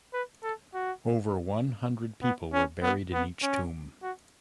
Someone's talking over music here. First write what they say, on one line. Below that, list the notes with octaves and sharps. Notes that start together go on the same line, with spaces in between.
Over one hundred people were buried in each tomb.
B4
A4
F#4
B3
C#4
B3
B3
C#4
F#4